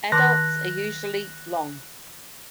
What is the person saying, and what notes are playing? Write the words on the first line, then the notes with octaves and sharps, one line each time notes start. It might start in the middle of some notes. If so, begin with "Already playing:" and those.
Adults are usually long.
D#3 A5 D6 F#6 A#6